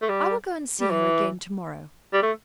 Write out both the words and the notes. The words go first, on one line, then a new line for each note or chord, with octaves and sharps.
I will go and see her again to-morrow.
A3
G3
G3
E3
G3
A3